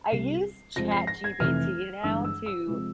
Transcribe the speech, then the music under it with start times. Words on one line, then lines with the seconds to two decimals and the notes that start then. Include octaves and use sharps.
I use ChatGPT now to
0.12 C2 C3 G3 C7
0.76 F2 C3 F3 G#3 A#6
0.91 C7
1.07 A#6
1.24 G#6
1.40 F1 F2 E3 F6
2.04 G1 G2 E3 G#3 E6
2.24 E6
2.46 E6
2.67 C3 F3 G#3